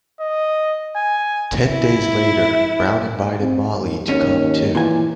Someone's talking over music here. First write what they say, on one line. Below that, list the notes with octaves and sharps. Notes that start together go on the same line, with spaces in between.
Ten days later, Brown invited Motley to come, too.
D#5
G#5
E4
C4
D#2
D#2 C#4
A#2 E3 G#5